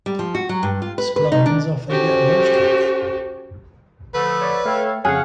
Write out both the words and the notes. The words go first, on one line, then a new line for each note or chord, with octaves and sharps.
Splines offer yet more strength.
G3
F3
F#4
F#3
G2
F4
B4
B4
D#4
D4
C#4 F#4 G4 A4 C5
D3 F3 A3 B4
C#5 D5
A3 A4 C#5 F5 G5
F2 C#3 G#4 C#5 F5 F#5